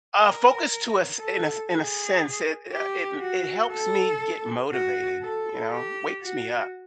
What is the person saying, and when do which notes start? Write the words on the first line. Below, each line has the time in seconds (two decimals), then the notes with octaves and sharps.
Uh, focus to a s in a in a sense, it, uh, it m it helps me get motivated, you know, wakes me up.
0.19 A#4
1.20 A4
1.70 G#4
2.71 G4
3.20 F#4
3.72 A4
4.72 F#4
5.22 A4
5.72 G4
6.22 F#4